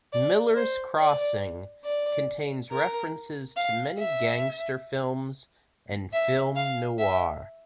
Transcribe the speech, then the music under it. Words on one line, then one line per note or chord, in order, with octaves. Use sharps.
"Miller's Crossing" contains references to many gangster films and film noir.
D5
C5
D5
D5
A#4
F5
E5
E5
F5
E5